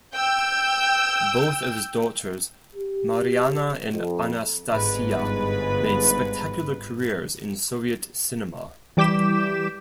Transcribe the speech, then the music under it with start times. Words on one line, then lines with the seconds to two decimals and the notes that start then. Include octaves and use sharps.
Both of his daughters, Marianna and Anastasiya, made spectacular careers in Soviet cinema.
0.14 G5 E6 G6
2.74 G4
3.92 F2
4.72 G1 G#2 B4
8.97 E3 G3 D6 G6 B6 E7